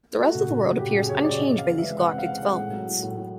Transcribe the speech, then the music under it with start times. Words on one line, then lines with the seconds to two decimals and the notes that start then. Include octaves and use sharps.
The rest of the world appears unchanged by these galactic developments.
0.19 A3 F#4
0.35 C#3
0.50 C#3
0.65 F#2
0.79 C#3 G4
0.94 C#3 G#4
1.09 F#2 C#5
1.24 C#3 D5
1.39 C3 D#5
1.53 C3
1.58 F5
1.68 E3
1.78 E5
1.84 G#3
1.99 C3 F#5
2.14 C4 F5
2.28 C4
2.38 G#3 F#5
2.58 A2
2.72 F#3
2.88 A2
3.03 A2
3.17 A2